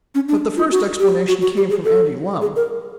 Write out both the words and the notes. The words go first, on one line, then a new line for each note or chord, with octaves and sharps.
But the first explanation came from Andy Lumm.
C#4
D4
F4
F#4
G4
F#4
F#4
G4
G#4
A4
G#4
A#4